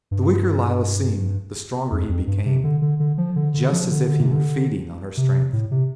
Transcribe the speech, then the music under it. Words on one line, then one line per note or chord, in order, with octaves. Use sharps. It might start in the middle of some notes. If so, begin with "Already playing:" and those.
The weaker Lilla seemed, the stronger he became, just as if he were feeding on her strength.
G2
F2
F2
G2
C3
D3
D3
D3
F3
D3
D3
F3
D3
D3
C3
D3
C3
A2
C3